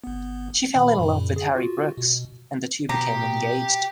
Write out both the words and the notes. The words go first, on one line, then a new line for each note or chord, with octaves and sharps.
She fell in love with Harry Brookes, and the two became engaged.
G1 B3
A#2 D#3 B5
F#2 A#2 C#3
G#4
F4 F#4
B2
B2 G4 A#5